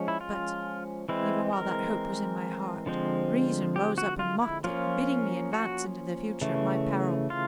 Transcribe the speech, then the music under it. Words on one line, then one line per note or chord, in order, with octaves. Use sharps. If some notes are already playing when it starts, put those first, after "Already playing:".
But, even while that hope was in my heart, reason rose up and mocked it, bidding me advance into the Future at my peril.
Already playing: F3 G#3 C#4
E4
F4
E3 G#3 C4 E4
A#4
D3 F3 G#3 C4
G4
F#4
F4
E4
F3 A#3 C#4 F4
F#4
C#3 E3 A3
F4